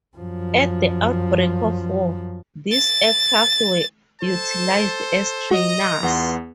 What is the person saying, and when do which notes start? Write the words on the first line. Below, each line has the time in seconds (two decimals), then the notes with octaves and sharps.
At the outbreak of war, these aircraft were utilised as trainers.
0.17 F#2 F3
2.72 A6
4.21 A4 C5 A5
5.51 F#4 D#5 A#5
6.03 E2 B3 F4 F#5 C6